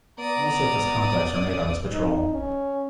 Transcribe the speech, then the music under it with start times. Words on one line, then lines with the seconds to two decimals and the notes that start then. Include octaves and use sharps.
No surface contacts were made on this patrol.
0.19 B3 D5 A#5 D#6
1.93 D#4
2.34 C#4